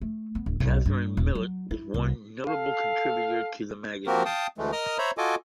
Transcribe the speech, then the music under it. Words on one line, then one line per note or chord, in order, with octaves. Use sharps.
Catherine Millet is one notable contributor to the magazine.
A3
B3
D1
B1
G2
D#1
F#3
E4
C2
A4 F5
F3 A#3 C4 F#4 G4 A#4
F5 G5 A5 D#6
D2 E3 G#3 A3
A#4 D#5 D#6 F6
C5 C#5 E5 A#5 B5
F4 F#4 A4 D#5 G#5 D6